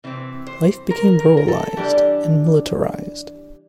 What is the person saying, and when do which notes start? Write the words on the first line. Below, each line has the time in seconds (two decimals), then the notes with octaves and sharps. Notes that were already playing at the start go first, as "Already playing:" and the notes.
Life became ruralized and militarized.
0.04 C3 E3 C4
0.47 C5
0.90 A#4
1.20 A#4
1.37 A#4
1.48 A4
1.77 E3 G3 D4 G4